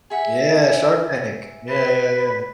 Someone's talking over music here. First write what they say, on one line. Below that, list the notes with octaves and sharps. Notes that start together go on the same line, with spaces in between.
Yeah, Shark Tank. Yeah, yeah, yeah.
G#4 E5 F#5
B4